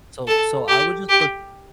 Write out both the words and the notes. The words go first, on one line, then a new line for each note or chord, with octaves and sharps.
So so I would just look
A4
G4
G4